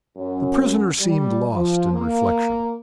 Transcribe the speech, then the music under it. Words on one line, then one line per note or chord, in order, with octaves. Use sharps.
The prisoner seemed lost in reflection.
F#2
G3
F3
A#3